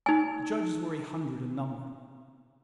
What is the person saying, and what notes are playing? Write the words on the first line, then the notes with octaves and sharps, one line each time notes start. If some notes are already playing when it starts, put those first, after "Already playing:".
The judges were a hundred in number.
D#4 G#5